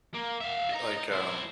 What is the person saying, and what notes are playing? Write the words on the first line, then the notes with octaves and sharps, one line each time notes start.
like, um,
A#3
E5 F5
D#5 A#5
E4 C5